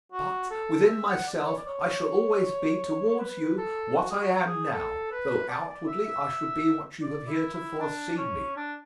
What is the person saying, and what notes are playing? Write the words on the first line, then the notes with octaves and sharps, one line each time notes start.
But, within myself, I shall always be, towards you, what I am now, though outwardly I shall be what you have heretofore seen me.
F#4
A4
E5
F#5
D5
C#5
D5
C#5
C#5
B4
A4
F#4
G#4
F#4
G#4
A4
B4
D5
D5
E5
E5
D5
E4
E4
D4
C#4
D4